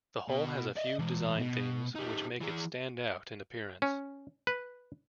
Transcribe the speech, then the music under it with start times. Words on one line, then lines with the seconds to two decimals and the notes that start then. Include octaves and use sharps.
The hull has a few design themes which make it stand out in appearance.
0.28 B2
0.76 D5 D#5
0.99 E3 G#3
1.38 B2
1.95 G3 D#4
2.41 E3 G#4
3.82 C#4
4.47 B4